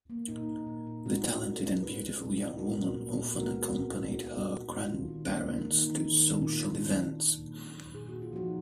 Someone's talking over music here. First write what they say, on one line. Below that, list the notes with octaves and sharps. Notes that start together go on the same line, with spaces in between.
The talented and beautiful young woman often accompanied her grandparents to social events.
A#3
A#2 D#4
A#2
A#2
A#2
A#2 D#4 F#4
A#2
G#3 F#4 A#4
A#2
A#2 G#4 B4
F#3
A#2
B3
B3 F#4 A#4
A#2
A#2
A#2
B3 F#4 A#4
G#3
B3
A#2
G#3 D#4 F#4
G#3
A#2
B3
D#3 D4 F4
D#3
A#3
A#3
D#3 D#4
D#3
D#3
D#3
A#2 D4 F4
A#2
A#2 D4 F4
A#2
F#3
A#2
F#3
A#2
A#2 G#4
F#4
A#2
F4
F3 D#4 F#4